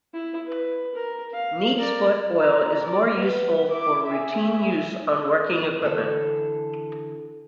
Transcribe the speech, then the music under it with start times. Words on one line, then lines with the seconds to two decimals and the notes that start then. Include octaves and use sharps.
Neatsfoot oil is more useful for routine use on working equipment.
0.13 E4
0.47 B4
0.94 A#4
1.33 F5
1.77 A#4 D5
2.39 A#5
2.84 D5
3.16 B3 B4
3.70 E4 D6
4.07 G#4 E5
5.82 D3 E3 A4